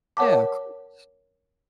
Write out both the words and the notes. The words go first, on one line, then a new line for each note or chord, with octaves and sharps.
Yeah, of course.
A#4 C#5 F#5 A5 D6